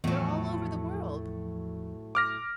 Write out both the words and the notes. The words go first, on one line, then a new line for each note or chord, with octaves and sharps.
They're all over the world.
E2 A2 F3 F#3
D6 F6 A#6